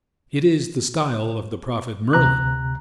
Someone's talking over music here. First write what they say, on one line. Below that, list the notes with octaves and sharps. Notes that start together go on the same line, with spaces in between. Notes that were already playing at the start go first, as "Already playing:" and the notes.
It is the style of the prophet Merlin.
D2 C3 A#5 F#6